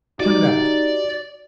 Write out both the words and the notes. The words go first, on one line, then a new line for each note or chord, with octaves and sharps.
"Turn it out!"
D#4 F#4 G4 D5